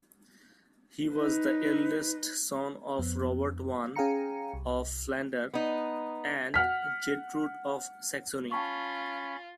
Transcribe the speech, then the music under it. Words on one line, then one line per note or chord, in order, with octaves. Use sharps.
He was the eldest son of Robert I of Flanders and Gertrude of Saxony.
D#4 B4
F2 B3
C#4 G#4 F5 G5 A#5 C#7
C2
B3 D#4
F#5 F6 B6
C#4 F4 G5 A5 B5 C#6